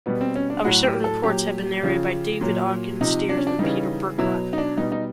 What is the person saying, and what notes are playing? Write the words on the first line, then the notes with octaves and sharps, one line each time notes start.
However, certain reports have been narrated by David Ogden Stiers and Peter Berkrot.
B2 G3 B3
C4
C#4
D4
A2 F#3 F#4
G4
A4
A#2 F#3 G4
C#3 F3
A#2 F#3
C3 F3 D#4
D4
C#4
D4
C#3 E3 G3 D#4
B2 F#3 E4
D#4
D4
B2 G3 D#4
D#4